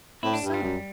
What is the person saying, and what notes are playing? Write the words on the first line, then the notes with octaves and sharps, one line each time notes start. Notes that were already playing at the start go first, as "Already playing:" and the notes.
"How so?"
A2 E4
D4
G2
G3
F#2